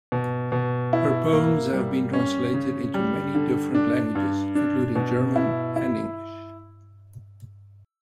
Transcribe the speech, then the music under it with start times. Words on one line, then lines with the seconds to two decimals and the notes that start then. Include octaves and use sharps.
Her poems have been translated into many different languages, including German and English.
0.12 B2
0.52 B2
0.93 E4
1.33 A#3
1.73 G3
2.13 C#4
2.54 C#3
2.94 G3
3.35 D3
3.75 D4
4.15 G2
4.55 D4
4.96 B2
5.36 E4
5.76 E4